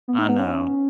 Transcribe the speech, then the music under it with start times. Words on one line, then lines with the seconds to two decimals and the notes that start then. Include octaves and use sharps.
I know.
0.08 B3
0.19 D#4
0.29 B3
0.39 C#4